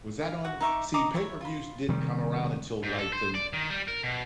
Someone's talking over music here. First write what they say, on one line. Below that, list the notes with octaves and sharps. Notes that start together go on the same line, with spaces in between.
Was that on see, pay-per-views didn't come around until, like, the
F5
F#4 F#5
D#4 E5 C#6 D6
D#5 A#5 D6 D#6
E4 C#5 E5
F4 B5
C3 D#3 G3
G#2
A4
C5
D5
D#3
G3
A#4
B2